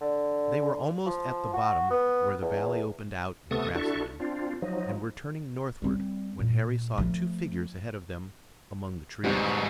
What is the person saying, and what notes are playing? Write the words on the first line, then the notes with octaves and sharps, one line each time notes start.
They were almost at the bottom where the valley opened out in grass land, and were turning northward when Harry saw two figures ahead of them among the trees.
D3
F3
F#4
B3
E2
C3 A3 B3 A4 C#6 D#6
D4 E4 F#4 A4 C#6
C4 D4 F4
F3 F#3 D#4
G3 C4
A#2
F3 A3
G#2 B2 G3 C4 D#4